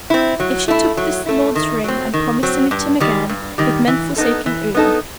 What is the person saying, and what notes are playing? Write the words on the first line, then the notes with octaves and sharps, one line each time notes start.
If she took this lord's ring, and promised to meet him again, it meant forsaking Earle.
C4 E4
F#3
A3 E4
F#3
A3 E4
D#3
F#3 C4
D#3
F#3 C4
G2
D#3 G3
G2
D#3 G3
E3
B3 D#4 A4
E3
B3 D#4 A4